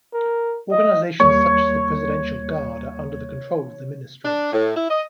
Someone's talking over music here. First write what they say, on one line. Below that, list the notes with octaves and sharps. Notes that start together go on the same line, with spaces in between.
Organizations such as the Presidential Guard are under the control of the Ministry.
A#4
D#5
D#2 G3 A#3 C#5
D4
A2
E4
D#5